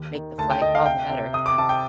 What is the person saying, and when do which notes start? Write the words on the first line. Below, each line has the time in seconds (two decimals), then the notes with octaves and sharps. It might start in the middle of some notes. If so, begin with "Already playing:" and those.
make the flight all the better, you know?
Already playing: D#2
0.15 D#3
0.38 D2 A5
0.50 G5
0.62 D2 D#5
0.75 F5
0.86 C3 G5
1.10 C3
1.33 C3 D#6
1.46 D6
1.58 C3 A5
1.69 G5